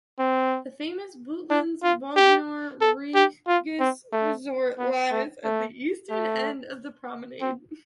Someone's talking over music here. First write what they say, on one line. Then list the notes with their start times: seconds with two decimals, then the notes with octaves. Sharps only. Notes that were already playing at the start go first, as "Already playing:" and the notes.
The famous Butlins Bognor Regis resort lies at the eastern end of the promenade.
0.19 C4
1.50 D4
1.83 F4
2.16 G4
2.81 A4
3.15 G4
3.48 F4
3.80 C4
4.13 A3
4.79 B3
5.11 A3
5.44 A3
6.10 A3
7.41 C4